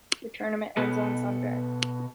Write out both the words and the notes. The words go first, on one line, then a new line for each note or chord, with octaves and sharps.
The tournament ends on Sunday.
B2 B3 A4